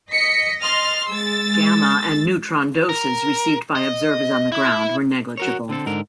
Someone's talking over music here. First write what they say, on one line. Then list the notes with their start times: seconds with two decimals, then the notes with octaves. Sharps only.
Gamma and neutron doses received by observers on the ground were negligible.
0.10 D#5 B6 C#7
0.62 C6 F6 A6
1.09 G#3 E6 A6
2.89 A#4
3.75 D#5
4.52 E4
5.37 F#4 A#4 C#5
5.69 D3 C4 A4
5.86 G#2 D3 A#4